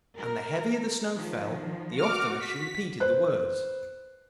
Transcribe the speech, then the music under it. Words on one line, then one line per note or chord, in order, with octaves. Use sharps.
And the heavier the snow fell the oftener she repeated the words.
A#4
D#3 F3
F#4 D6 F6
B6
B4 C5 F#6